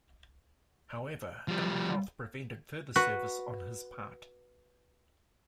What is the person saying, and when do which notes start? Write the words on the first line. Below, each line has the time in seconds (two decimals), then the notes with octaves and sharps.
However ill-health prevented further service on his part.
1.48 F3 G3
2.96 F#4 B4